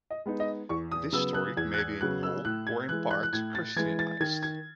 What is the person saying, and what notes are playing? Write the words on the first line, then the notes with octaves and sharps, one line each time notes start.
This story may be in whole or in part Christianized.
D#5
G#3 B3 D#4
D#5
E2 C#6
D#6
C#3 F#3 B3 E6
F#6
E2 G#6
F#6
G#6
C#3 F#3 B3 F#6
E6
A2 F#6
G#6
E3 G#3 F#6
F#6
F#6
A2 G#6
A6
E3 G#3 G#6
A6
D#3 G#6
G#6